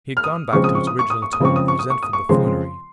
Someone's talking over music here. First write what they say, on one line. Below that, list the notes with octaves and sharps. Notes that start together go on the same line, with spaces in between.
He had gone back to his original tone of resentful buffoonery.
F6
D#6
C#3 F3 G#3 C4 C#6
D#6
C#6
D#6
C#6
D#6
C#6
D#6
C#3 F3 G#3 C4 C#6
D#6
C#6
D#6
C#6
D#6
C#6
C#3 F3 G#3 C4 C6